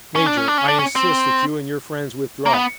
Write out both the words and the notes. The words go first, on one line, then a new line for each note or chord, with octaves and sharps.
Major! I insist that you and your friends withdraw.
C#4
D4
C#4
D4
C#4
D4
C#4
C4
A#3
B3